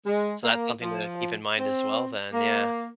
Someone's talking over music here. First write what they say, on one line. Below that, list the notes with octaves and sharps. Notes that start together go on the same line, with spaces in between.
So that's something to keep in mind as well then, yeah.
G#3
A#3
F3
C4
A#3